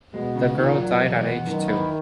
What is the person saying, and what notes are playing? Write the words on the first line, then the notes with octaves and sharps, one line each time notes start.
The girl died at age two.
B2 G#3
C#3
A#2 D#3
F#3
E2 B2
B3
F#2 D#3
E4